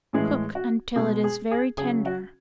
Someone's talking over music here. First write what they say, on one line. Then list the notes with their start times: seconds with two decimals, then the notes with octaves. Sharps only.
Cook until it is very tender.
0.13 A2 E3 G#3 G#4
0.55 F#4
0.96 B2 G#3 G#4
1.24 G#4
1.51 G#4
1.78 C#3 G#4
1.82 F#3
2.06 F#4